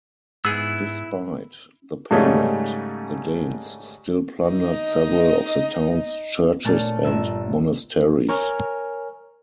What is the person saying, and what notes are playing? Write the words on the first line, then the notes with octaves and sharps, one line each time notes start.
Despite the payment, the Danes still plundered several of the town's churches and monasteries.
G#2 B3 E4 G#4 E6
G#2 C#3 G3 A3 C#4 D#4
D#4 D#5
A#2 A3 D4 C#5 A5 F6
G1 E5 E7
A#4 C#5 G#5 F6